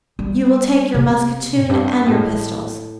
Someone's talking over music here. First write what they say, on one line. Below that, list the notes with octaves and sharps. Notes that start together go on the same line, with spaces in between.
"You will take your musketoon and your pistols."
G3
C3
F2
G2
A2